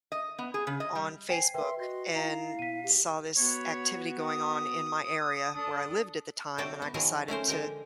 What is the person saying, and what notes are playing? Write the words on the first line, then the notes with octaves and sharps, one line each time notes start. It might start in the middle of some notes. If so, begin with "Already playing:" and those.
on Facebook and saw this activity going on in my area where I lived at the time and I decided to
D#5
B3
G#4
C#3
D#5
G3
C5 G5 G#5 C7
A#4 B4 E5 G5 C6
F#4 D#5 C6
E4 F5 A#5 F7
B2 B6 D#7
G4
B3 F#4 C#5
D#6
D4 A4
C3 F#3 D4 F#4 D5 G5
B3
D#3 F3 F#3 G#4 A#4
A3 C#4 A#4 C5
D3 G#3 A#4 G5